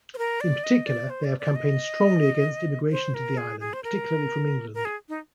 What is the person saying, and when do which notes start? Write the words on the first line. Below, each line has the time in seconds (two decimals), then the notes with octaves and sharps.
In particular, they have campaigned strongly against immigration to the island, particularly from England.
0.14 C5
0.18 A#4
0.41 D5
0.64 D#5
0.86 D5
1.10 C5
1.24 D5
1.40 D5
1.56 D#5
2.92 C5
3.14 A#4
3.37 G#4
3.60 G#4
3.73 C5
3.84 A#4
4.74 A#4
4.85 G#4
5.09 D#4